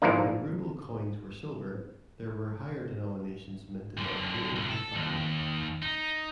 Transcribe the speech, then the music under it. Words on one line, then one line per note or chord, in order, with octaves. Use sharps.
While ruble coins were silver, there were higher denominations minted of gold and platinum.
G#2 E3 F3 A#3 D4
F#2 D3
C2 D3
A4
D#2
D#4